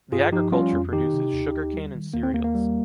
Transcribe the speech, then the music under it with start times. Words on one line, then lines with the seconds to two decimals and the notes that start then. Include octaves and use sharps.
The agriculture produces sugar cane and cereals.
0.12 G2 F4 G#4
0.32 F3 D#4 G4
0.52 G3 C#4 F4
0.73 F2
0.92 D#3 D#4 G4
1.13 C3
1.33 D#2
1.53 D#2
1.74 G3
1.94 D#3
2.14 D#2 A#3
2.23 C4
2.34 D#2 A#3
2.44 A#3
2.55 G3